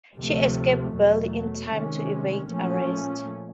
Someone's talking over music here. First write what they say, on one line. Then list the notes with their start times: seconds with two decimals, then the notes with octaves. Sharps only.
She escaped barely in time to evade arrest.
0.16 D2 C3 F3 A3
0.95 E2 B2 F#3 A3
1.72 C3 D#3 G#3 C#4
2.51 A#2 F3 A3 C#4